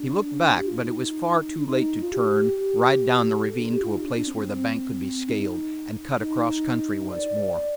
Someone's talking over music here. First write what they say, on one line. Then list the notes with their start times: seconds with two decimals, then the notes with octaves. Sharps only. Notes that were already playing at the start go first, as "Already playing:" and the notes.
He looked back, but it was far too late to turn, ride down the ravine to a place where the bank could be scaled, and cut across country once more.
Already playing: D4
0.56 G4
0.66 F4
0.77 D#4
1.67 D#4
2.02 F4
2.12 G4
3.48 A4
3.59 D4
3.70 G4
3.82 F4
3.93 D#4
4.05 D4
4.16 D4
4.27 C4
4.39 C4
5.28 D#4
6.20 D#4
7.10 D5